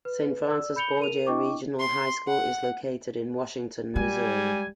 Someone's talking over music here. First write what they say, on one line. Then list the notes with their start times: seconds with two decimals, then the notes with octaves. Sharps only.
Saint Francis Borgia Regional High School is located in Washington, Missouri.
0.05 B4
0.47 D5 E6
0.76 B5 G6 C#7 F7 G7
1.00 A#4 D#7 F7
1.27 D4 E4 D#5 G5 C#6 D6
1.80 C6
2.28 F#5
3.96 G3 G#3 G#5